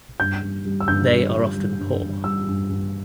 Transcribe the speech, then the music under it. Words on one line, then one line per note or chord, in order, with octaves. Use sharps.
They are often poor.
G2 G6
G3
G3
E6
G2 G6
G3
G3
G3
G2
G2
G3 E6
G2
G2